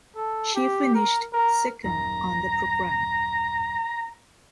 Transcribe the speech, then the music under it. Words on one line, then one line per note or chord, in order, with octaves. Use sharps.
She finished second on the programme.
A4
G4
A#4
A#4
D#1 F#2 A#5